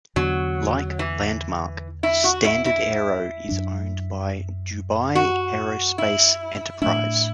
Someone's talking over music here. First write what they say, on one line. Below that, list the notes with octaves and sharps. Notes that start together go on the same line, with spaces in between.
Like Landmark, StandardAero is owned by Dubai Aerospace Enterprise.
E2 D3 F#3 B3 D4
E3
E4
F#4
E4
E4
F#2 F#3 D4
F#4
E4
A2 A3 D4 E4